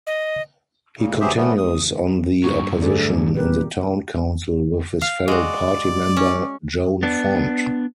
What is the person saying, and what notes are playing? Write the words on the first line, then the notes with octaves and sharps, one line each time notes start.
He continues on the opposition in the town council with his fellow party member, Joan Font.
D#5
A#2 C#3
E3 F#3 G4 G#4 C5 E5
A2 E3 F3 G3 A3 B3
D#6
A#1 G2 F#3 C#6
D2 A3 G#4 A4 D5
D#1 A#2 G4 A#4 B4
F5
G#3 F#4 D5
C#4
B3 D4